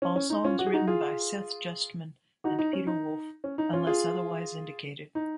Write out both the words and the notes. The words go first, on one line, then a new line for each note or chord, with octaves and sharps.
All songs written by Seth Justman and Peter Wolf unless otherwise indicated.
C#4
C#4
D#4
C#4 F4
F#4
G#4
D#4 F#4
F4 G#4
D#4 F#4
D#4
C#4
D#4
C#4
D#4
C#4 F4
F4 G#4
D#4